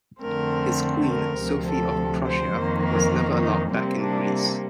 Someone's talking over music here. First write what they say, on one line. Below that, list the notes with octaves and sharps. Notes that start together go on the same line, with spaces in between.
His queen, Sophie of Prussia, was never allowed back in Greece.
F2 D3 A3 C4 A#4
A#4
D2 C3 F3
A4
C5
F2 D#3 A#3
A#4
D#4
C3 G3 A#3 C4
D4